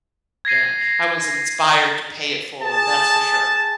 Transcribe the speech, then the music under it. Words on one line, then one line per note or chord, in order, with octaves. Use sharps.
Yeah, I was inspired to pay it forward, that's for sure.
G#6 A#6 C7 D#7
G#4 A5